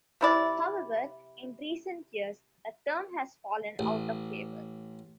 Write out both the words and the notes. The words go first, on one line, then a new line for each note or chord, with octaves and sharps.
However, in recent years the term has fallen out of favor.
C3 E4 D5
A1